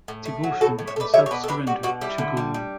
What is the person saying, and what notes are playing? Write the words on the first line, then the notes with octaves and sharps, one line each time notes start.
Devotion and self-surrender to guru.
A2
A3
F#3
A2 F#4 A4
A2
C#5 E5
A3 B4 D5
G3 C#5 E5
C#5
B2 B4 D5
A4
D4 G4 B4
G3 F#4
B2 F#4
G3 E4
D3
G3
G3